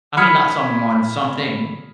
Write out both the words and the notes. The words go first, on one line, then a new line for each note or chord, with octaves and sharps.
I mean not someone, something,
B5 D#6 F6 G#6 B6 C#7